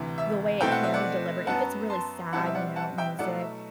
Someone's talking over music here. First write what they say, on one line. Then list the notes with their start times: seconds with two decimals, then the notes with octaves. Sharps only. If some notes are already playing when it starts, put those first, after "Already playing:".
the way it can be delivered, if it's really sad, you know, music
Already playing: D2 C3 E3
0.18 E5
0.61 B2 A3 C4 E4 G5
0.72 F#5
0.83 E5
0.94 D5 F#5
1.47 F#2 F#3 B3 F#5 A5
1.90 A5 C6
2.33 B2 G3 C4 E4 F#5 A5
2.46 E5
2.55 D5 F#5
2.76 F#5 A5
2.98 E5 G5
3.19 B2 F#3 A3 E4 D5 F#5
3.40 E5